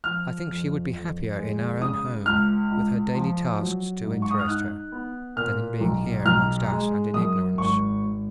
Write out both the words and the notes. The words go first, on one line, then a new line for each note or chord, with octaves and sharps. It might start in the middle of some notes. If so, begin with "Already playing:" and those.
I think she would be happier in our own home, with her daily tasks to interest her, than in being here amongst us and in ignorance.
F3 F6
F2
F2
G#3
C#3 D#6
C#2 F6
C#2
F3
F#3
G#2
C#6
D#6
F6
D#4 F#6
B3
A#2 F6
B1
B1 F6
G#3
F#2 D#6
G#1 C#6
G#1